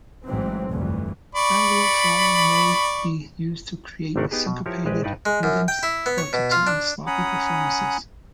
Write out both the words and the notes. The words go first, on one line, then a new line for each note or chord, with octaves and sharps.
Envelope following may be used to create syncopated rhythms or to tighten sloppy performances.
A1 G#2 E3 F#3 C4
F1 D2 G2 E3
D5 B5 C#6
G#1 C3 A3 D4 A#4 F#5
B3 D#4 G4 G#4
B2
F3 E4 G4 A#4 C#5
A#1 G#3 G4 B4
G2 D#4 B4 D5
G#3
F#2
G5
E4
B3
C#5
B2
F4
D4
C#4 F#5 G#5 A#5 B5 D#6